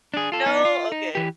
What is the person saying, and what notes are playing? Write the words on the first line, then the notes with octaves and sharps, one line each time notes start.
No? Okay.
D4 G#4
F4 A4
B3 D#4
F4
D#4
E3 G4